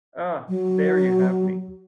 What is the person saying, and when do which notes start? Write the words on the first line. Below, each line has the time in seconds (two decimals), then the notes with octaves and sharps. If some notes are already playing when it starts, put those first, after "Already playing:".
Ah, there you have me.
0.48 F#3